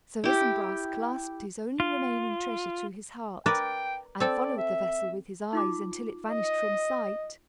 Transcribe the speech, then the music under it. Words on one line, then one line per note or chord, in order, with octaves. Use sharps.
Sir Isumbras clasped his only remaining treasure to his heart, and followed the vessel with his eyes until it vanished from sight.
E4 G4
F4
A#4 B4 D5 G5
C4 A4 D5
E5
D#4 F4 D6
D#5